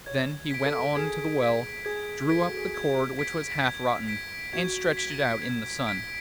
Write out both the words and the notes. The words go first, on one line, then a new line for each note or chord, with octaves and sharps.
Then he went on to the well, drew up the cord, which was half rotten, and stretched it out in the sun.
C#5 G#6
B6 D7
A4
G#4 G#6
B6 D7
G#4 G#6
A4 B6 D7
G#4
F#4
G#4
G#6
B6 D7
G#6
B6 D7
F#4 G#6
B6 D7
G#6
B6 D7